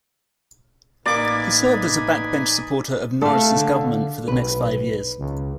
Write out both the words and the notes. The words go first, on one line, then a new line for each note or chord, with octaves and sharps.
He served as a backbench supporter of Norris's government for the next five years.
A1 A#3 D#4 B4 D5 G#5 D6 D#6
A3 A4 F5
D3
B1 B4
C#2